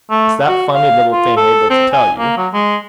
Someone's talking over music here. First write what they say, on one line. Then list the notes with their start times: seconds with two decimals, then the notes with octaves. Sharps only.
"Is that funny little thing able to tell you?"
0.10 A3
0.48 F#4
0.75 F5
1.12 F4
1.37 A4
1.70 C4
1.92 G#5
2.18 A#3
2.37 F#3
2.53 G#3